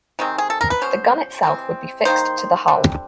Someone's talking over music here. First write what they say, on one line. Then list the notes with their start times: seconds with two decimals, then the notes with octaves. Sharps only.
The gun itself would be fixed to the hull.
0.19 C3 D#3 G#3 C4
0.38 G#4
0.50 A4
0.61 A#4
0.70 B4
0.81 B2 G#3 C#4 C5
1.43 C3 E3 G#3 C4
2.05 D#3 G3 A#3 D#4 C5
2.68 D3 G3 C4